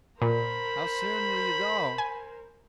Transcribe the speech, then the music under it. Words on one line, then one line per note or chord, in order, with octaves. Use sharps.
"How soon will you go?"
A#2 A#4 C5 B5
G#5